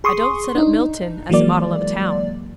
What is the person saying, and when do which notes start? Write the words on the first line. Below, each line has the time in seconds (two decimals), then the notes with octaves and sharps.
'I don't set up Milton as a model of a town.'
0.04 G#4 C6 C#6 D#6
0.55 D4 D#4
1.30 E3 F#3 G#3 A#3 D5